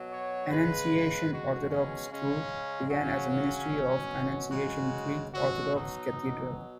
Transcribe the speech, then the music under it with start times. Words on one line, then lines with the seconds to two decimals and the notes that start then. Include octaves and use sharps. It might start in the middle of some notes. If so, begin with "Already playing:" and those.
Annunciation Orthodox School began as a ministry of Annunciation Greek Orthodox Cathedral.
Already playing: B2 F#3
0.08 C#5
0.49 C#3 G#3 B4
1.28 B2 G#3 F#4
1.69 C#4
2.09 C#3 G#3 C#4
2.89 C#3 F#3 C#4
3.70 B2 F#3
4.50 C#3 G#3 F#4
5.31 B2 F#3 F#4
5.72 D#4
6.11 B2 F#3